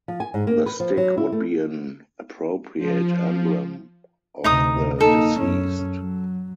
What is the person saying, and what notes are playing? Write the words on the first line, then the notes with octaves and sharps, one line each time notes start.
The stick would be an appropriate emblem of the deceased.
F3
G#5
G#2
A#3
B4
F3
F#3
E4
A3
F3
D2 C3 D#4 A#5 D#6
A#3 D#4 A4
F#2 C#4
F#3